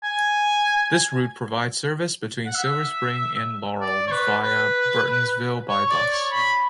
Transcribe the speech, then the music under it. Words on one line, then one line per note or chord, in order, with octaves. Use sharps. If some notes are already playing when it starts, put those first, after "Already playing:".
This route provides service between Silver Spring and Laurel via Burtonsville by bus.
G#5
F#5
E5
D5
C#5
B4
B4
C#5
D5
C#5
B5